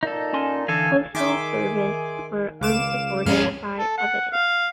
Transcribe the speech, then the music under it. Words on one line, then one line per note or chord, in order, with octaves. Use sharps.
Postal Service were unsupported by evidence.
A#2 D#4 A4
C#4 G#5 C6
D3 E3 A4 F5 G#5
D#3 G#4 E5 C6 D6
C#2 F5 D6 E7
G#2 C#4 G#4 F5
A4
F#5
F5